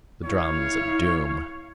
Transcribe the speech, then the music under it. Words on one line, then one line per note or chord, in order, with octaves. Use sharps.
The drums of Doom!
E4 C#5 F5